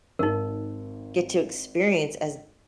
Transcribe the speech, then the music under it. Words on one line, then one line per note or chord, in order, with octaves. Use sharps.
get to experience as
G#1 D#4 A#4